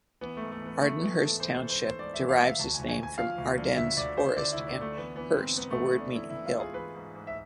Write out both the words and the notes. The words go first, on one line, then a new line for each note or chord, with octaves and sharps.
Ardenhurst Township derives its name from Ardennes Forest and "-hurst", a word meaning hill.
E3 B3
G#2 A3
A3
E3 B3
B3
E3 A3
E3 B3
G#2 A4
E3 C5
C5
E3
C5
E3 C5
G#2 D5
E5
E3
F5
G#2
E5
D2 A5
D2 G#5
G#5
D2
G#5
F3 F5
D2
D3
D2 E5
D2 D5
D2 C5
D3 D5
E4
D2
D4
D3 A3
E3 B3
E3 B3
G#2 C4
G#2 B3
A3
E3
B3
E3 D4
E3 E4
E4
E3
F4
G#2 G#4
E3 B4
G#2
G#2
E5